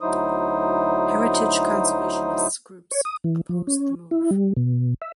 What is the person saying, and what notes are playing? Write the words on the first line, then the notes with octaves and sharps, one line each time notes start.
Heritage conservationists groups opposed the move.
D2 F#3 D#4 E4 C5 D#6
C#5
D#6
E3
F3
C#4
E4
G3
B2
E5